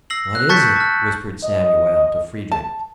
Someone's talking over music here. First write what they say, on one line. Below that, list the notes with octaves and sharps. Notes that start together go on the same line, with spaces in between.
"What is it?" whispered Samuel to Friedrich.
E6 A#6 C7 F#7
F#6
A5 C#6 G6 A6 B6 C#7
A5 F6
D#5
A5